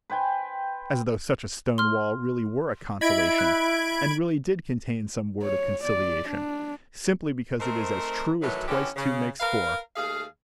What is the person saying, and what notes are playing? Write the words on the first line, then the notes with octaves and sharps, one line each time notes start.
As though such a stone wall really were a consolation, and really did contain some word of conciliation, simply because it is as true as twice two makes four.
B4 C5 G5 G#5
C6 F6
E4 D#5 B5 G#6 D7
F#6
C#5
D5
D4
A3 C4 D#4 A#4 C5
A2 D#3 E3 F#3
D3 E3 B3 C#4 G4
C#3
A#4 B4 F5
D#2 A3 G#4 F5